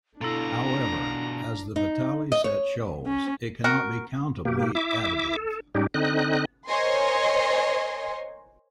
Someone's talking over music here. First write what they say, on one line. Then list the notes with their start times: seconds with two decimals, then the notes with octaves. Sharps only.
However, as the Vitali set shows, it cannot be countably additive.
0.21 B2 D4 E4 F4 A4 A#5
1.76 D#4
2.32 D#5
2.44 C#5
3.06 C#4
3.64 F#4 A#4
4.45 B2 A#3 G4
4.75 E4 E5 D6
5.36 A4
5.75 G#2 G3 C#4 D#4 G4
5.94 D3 C4 D#4 D#5 F#6
6.67 A#4 C5 C#5 D#5 G#5 C6